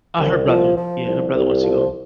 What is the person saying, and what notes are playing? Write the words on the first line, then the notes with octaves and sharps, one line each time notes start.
Ah, her brother. Yeah, her brother wants to go.
C2
F3
F3
C2
C2
F3